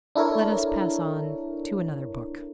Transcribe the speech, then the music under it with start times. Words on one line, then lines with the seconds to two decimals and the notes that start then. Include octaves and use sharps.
Let us pass on to another book.
0.15 D4 E4 A4 A#4 C#5